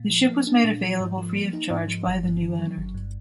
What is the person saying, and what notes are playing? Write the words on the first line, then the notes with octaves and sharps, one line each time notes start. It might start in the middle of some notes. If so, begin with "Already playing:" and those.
The ship was made available free of charge by the new owner.
Already playing: A#2
F3
A#3
D4
A#2
F3
G#2
F3
A#3
D#4
G#2
F3
G1
G2
D#3
F#3
G1
G2